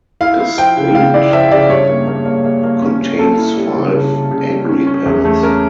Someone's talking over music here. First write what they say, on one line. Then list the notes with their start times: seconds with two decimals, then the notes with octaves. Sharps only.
A stade contains five agripennes.
0.21 E4 F5
0.40 E4
0.58 F3 G5
0.77 C#3
0.95 C#3 F5
1.14 E4 D5
1.33 F3 E5
1.51 C#3 D5
1.69 G2 C#5
1.89 A#3
2.07 A#3
2.26 A#3
2.44 A#3
2.64 A#3
2.82 C#4
3.00 C#4
3.19 A#3 A4
3.38 E4
3.57 G3
3.76 C#3
3.94 C#3
4.12 C#3
4.31 C#3
4.49 G3
4.69 C#4
4.86 C#4
5.06 E2
5.25 A3
5.43 C#4 A#4